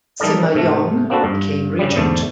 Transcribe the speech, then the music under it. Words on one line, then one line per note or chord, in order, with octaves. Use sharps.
Sima Yong became regent.
E3 G3 D#4 A4 A#4 D5
G#2 C3 A3
A#3 C4 D4 F#4 A4 B4
G2
G2 C#3 G3
E2 G#2 D3 A3